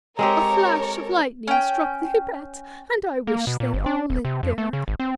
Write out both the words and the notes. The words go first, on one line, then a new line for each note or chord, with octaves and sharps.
A flash of lightning struck the gibbet, and I wish they all lit there.
G#3 C4 G4 A4 A#4 C#5 A#5
C#4 G5
A#3
B2
A#2
G1
D4
D#1
C3
F2
A3
C#3
G#1
C4